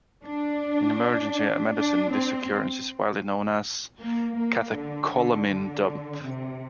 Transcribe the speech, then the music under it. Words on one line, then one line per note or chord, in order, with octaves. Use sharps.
In emergency medicine, this occurrence is widely known as "catecholamine dump".
D4
D4
C4
A#3
A#3
D3
D3
D3
C3